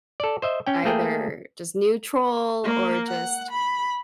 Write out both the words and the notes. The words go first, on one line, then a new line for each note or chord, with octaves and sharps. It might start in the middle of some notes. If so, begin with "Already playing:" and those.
either just neutral or just
A4 D5
C5 D#5 E5
C#4 G5
A3 A#3 G#4 G5
A#3
F#5
B5